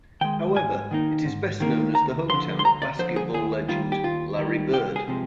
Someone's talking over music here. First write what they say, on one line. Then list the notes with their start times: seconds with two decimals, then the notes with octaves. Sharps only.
However, it is best known as the hometown of basketball legend Larry Bird.
0.21 D#3 G#3 G5
0.56 G#2 G#5
0.91 D#3 A#3 D#4
1.25 G#2
1.60 D#3 A#3 D#4
1.95 D2 A#5
2.29 D3 F3 C6
2.59 C6
2.64 D2 A#5
2.82 D5
2.99 D3 F3 C5
3.16 G#4
3.34 D#2 G#4
3.68 D#3 G3 F4
3.92 G4
4.03 D#2 F4
4.38 D#3 G3
4.73 C2 G4
4.96 G#4
5.08 C3 F3 G#3